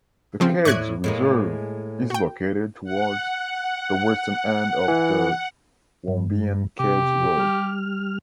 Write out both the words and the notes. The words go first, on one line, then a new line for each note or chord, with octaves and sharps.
The caves reserve is located towards the western end of the Wombeyan Caves Road.
C#3 F3 C4
A2 E4 D5 C#6 F#6 G#6
A2 G#3 A#3
F#4 G5
F#5
E3
G2
C3 G4
G3 F6